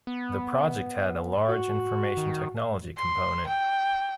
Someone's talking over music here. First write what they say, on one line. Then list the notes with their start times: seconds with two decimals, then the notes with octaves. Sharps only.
The project had a large information technology component.
0.07 B3
1.49 F#4
2.17 D#3
2.97 C6
3.47 G5